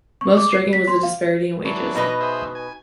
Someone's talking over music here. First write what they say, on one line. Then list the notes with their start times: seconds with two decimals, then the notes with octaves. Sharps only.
Most striking was the disparity in wages.
0.21 C#6
0.37 D6
0.52 C7
0.73 B6
0.88 C6
1.03 F5
1.65 E3 F#3 D4
1.95 B2 D#4 B4
2.21 G#4 C5 E5
2.55 G#5